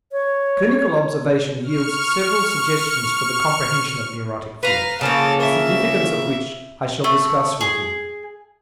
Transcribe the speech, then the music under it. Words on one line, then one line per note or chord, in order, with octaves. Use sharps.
Clinical observation yields several suggestions for the comprehension of neurotic fear, the significance of which I shall discuss with you.
C#5
C#6 F6
B4 F5 A#5
C#3 F3 A#3 A4
E5
A3
G#4